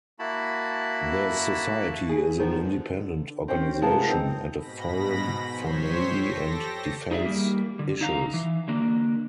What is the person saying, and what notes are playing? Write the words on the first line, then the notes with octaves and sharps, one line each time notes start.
The Society is an independent organization and a forum for navy and defence issues.
A#3 E4 F#4 A5 B5
G#4
D#3 F3 B3
D3
C4 C#4 C5 G5
C3 G#3 B3 F4 A#4 A5
C4 D#4
G#2 B2 B5 A#6
F2 C5 C#5 C6 B6
G4 A4 A#6
D#4 G#4 D5 E5
G3 A#3
D3
D#4 F5 A#5
E3
D3 A#3 D4